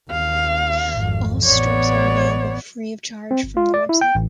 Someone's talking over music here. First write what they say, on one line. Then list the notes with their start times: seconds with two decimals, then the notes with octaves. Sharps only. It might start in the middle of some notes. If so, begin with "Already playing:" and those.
All strips are available free of charge from the website.
0.11 D#2 F5
0.94 G#1 F2
1.46 A1 B3 C#5 D5
3.31 C4
3.43 G1
3.57 F4
3.74 D5
3.89 E4
4.01 G5
4.15 A1